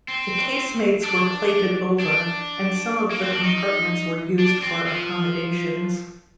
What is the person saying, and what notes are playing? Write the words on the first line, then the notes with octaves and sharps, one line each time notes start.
The casemates were plated over and some of the compartments were used for accommodations.
C4
D4
D4
A#3
C4
D4
D#4
D4
C4
F3